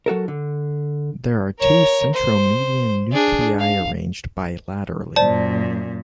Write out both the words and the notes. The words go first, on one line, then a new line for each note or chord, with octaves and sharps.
There are two centromedian nuclei arranged bilaterally.
F#3 F#4 A4 A#4
D3
A#4 C#5
C5
D4 G#4
F5
F#2 A#2 C5 D5 A5